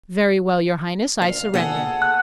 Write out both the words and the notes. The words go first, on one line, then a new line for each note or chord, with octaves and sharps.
"Very well, your Highness, I surrender."
F5
G#4 A4 F#5
F#6